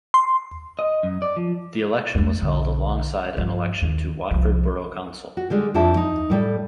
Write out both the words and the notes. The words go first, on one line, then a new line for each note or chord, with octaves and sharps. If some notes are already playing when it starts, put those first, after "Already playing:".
The election was held alongside an election to Watford Borough Council.
C6
D#5
F#2
D5
F3
E2 A3
B1 D3
G2 F3
D#2
C2 F3
F#4
D3 G3 G#3
F2 F3 D4 E4 E5 A5
D#4
A2 G3 A4